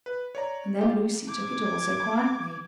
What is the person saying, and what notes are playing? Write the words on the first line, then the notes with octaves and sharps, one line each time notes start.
And then Lucy took it all so quietly.
B4
C#5 D5 A#5
F4 G4
D6 G#6